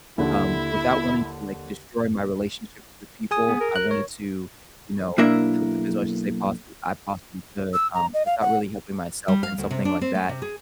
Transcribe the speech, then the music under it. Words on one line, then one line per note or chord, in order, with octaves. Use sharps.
um, without wanting to, like, destroy my relationships with people, I wanted to, you know, help them as much as they possi I possibly could, um, without really helping myself in something like that.
D#2 D3 E4
G#4 G#5 D#6
B3
A#4
F#6
C#5
B1 A#3 D4 E4 A#4 E5
E6
A#5
D#5
F5
F#5
G3
F5
D2
C3
D4
C4
A3
C3
G#4